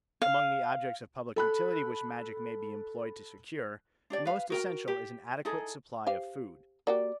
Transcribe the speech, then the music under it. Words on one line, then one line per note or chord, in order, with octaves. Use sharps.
Among the objects of public utility which magic may be employed to secure, the most essential is an adequate supply of food.
F5
A4 B5 F#6
D4 G4 D5
B4 F5
F#4 A#4 G5
G4
D#4 E4 G#4 A4
G4 C5 F5
A#3 F#4 G4 D5